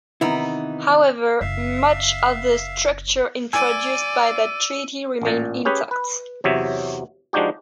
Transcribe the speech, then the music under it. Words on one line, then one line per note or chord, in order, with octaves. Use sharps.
However, much of the structure introduced by that treaty remained intact.
C3 D#3 E3 B3 D#4 E4
F#1 E5 F5
D5 G#5 E6 D#7
A1 A#2
C#4 G4 G#4 B4 C#5
B4
E2 C3 F#3 C#5 E5
F3 G#3 D4 D#4 F#4 G4